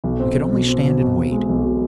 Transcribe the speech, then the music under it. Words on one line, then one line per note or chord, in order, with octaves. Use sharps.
We could only stand and wait.
B1
C4
C4
B2
C4
B2
B2
B2
G#3
B1
B2